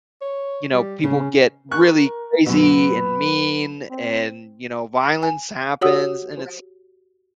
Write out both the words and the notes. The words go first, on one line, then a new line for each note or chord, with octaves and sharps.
you know, people get really crazy and mean and, you know, violence happens, and it's
C#5
G3
C#3 C#4
A#4 C#6 F#6
F#2 B2 B4
C4
G#5
F#4 G4 C#5 F#5 D#6 E6